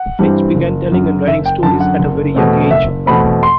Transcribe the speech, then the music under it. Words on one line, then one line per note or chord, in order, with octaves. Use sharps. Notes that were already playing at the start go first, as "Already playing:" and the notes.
Finch began telling and writing stories at a very young age.
Already playing: F#5
G2 E3 G3 C4
F#1
F#2 D3
F#1 E5
G5
F#2 D3 A5
F#5
F#1
E2 B2 A3 C4
F#1 E5
E2 B2 A3 C4 B5
C6